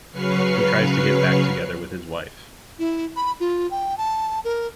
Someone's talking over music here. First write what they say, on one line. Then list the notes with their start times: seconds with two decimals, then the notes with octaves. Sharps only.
He tries to get back together with his wife.
0.11 C#3 F#3 B4 C#6 F6 C7
2.79 E4
3.16 B5
3.40 F4
3.71 G5
3.98 A5
4.45 A#4